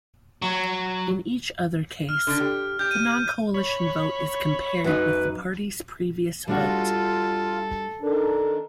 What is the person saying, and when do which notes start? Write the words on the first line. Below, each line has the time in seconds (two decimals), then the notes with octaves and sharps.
In each other case, the non-coalition vote is compared with the party's previous vote.
0.42 F#3
2.09 F6
2.27 D3
2.40 G4
2.79 G4 G6
2.91 D#7
3.54 C#5 B5
4.84 F#2 D#4 B4
6.48 G3 D4 F4 F#4 A4 F5
8.02 D#3 D4 A4 A#4